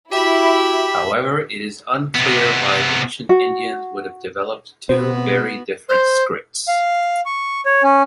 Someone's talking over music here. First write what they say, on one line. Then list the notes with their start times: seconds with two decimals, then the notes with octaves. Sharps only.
However, it is unclear why ancient Indians would have developed two very different scripts.
0.11 E4 F#4 G4 E5 B5
2.14 C3 B3
3.29 F#4
4.89 B2 B3 C4 F#4 C5
5.89 C5
6.68 F5
7.26 C#6
7.66 C#5
7.83 C#4